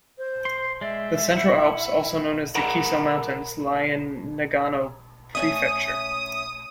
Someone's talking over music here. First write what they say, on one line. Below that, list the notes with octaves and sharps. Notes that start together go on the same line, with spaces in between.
The Central Alps, also known as the Kiso Mountains, lie in Nagano prefecture.
C5
C6
G#3 D5 E5
E4 F#5
A#4 F#5 A#5 B5
A3 C#4 E5 D#6